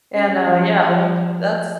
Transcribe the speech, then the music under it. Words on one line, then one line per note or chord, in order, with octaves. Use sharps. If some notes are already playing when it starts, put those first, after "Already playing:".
and, uh, yeah. Well, that's
C#4
F3
F3